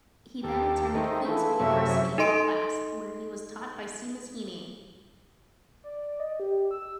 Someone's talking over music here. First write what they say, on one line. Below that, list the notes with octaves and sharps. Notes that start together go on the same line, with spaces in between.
He then attended Queen's University, Belfast, where he was taught by Seamus Heaney.
D#2 G4 A4
D#3 G#3 A3 C4 D#4
E3 E4 F4 G#4 A4
F#2 A2 C3 F#3 E5
D#4 A4 D#5 C6 D7
D5
D#5
G4
E6